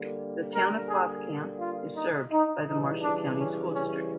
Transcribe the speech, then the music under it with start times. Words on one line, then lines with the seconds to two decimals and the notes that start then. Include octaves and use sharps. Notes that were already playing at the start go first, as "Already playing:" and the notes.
The Town of Potts Camp is served by the Marshall County School District.
Already playing: D3 G3 A#3
0.54 A#4
0.89 G#4
1.60 F4
1.96 D#4
2.31 D#4
2.67 C#3 E3 G3 D#4
3.02 D4
3.38 C#4
3.73 C#4